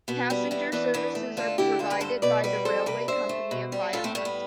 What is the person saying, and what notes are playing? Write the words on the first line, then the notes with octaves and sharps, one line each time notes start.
Passenger services are provided by the railway company of Viamont.
B2 B3
G3 B3
E3 B3
E3 B3 D4
E2 B3 D4
A3
D3 F4 A4
D3 E4 G4
G2 F4 A4
G4 B4
G2 A4 C5
B2 B4 D5
G3 B4 D5
F2 A4 C5
C3 B4 D5
G2 C5 E5
A3
B2
G3
A2 F4 A4
A3 C4
G3 A3
B3